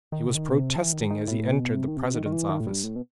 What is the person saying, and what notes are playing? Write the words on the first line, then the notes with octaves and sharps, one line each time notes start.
He was protesting as he entered the president's office.
D#3
C3
D#3
B2
C3
E3
D#3
D#3
A2
B2
C3
D#3
C3
D#3
D#3
E3
D#3
A2
G2
A2
B2